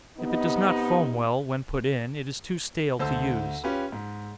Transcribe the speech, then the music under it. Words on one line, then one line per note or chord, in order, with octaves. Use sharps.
If it does not foam well, when put in, it is too stale to use.
C3 B3 D#4
D2 C5 A5 E6
C#4 F4 G4 B4
G#2